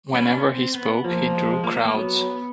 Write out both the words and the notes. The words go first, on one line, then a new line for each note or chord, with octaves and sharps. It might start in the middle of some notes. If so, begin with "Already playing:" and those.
Whenever he spoke, he drew crowds.
B3 C#4
D4
C#4
C4
B3
F3 A#3
G#3
A#3
A#3
F#3 B3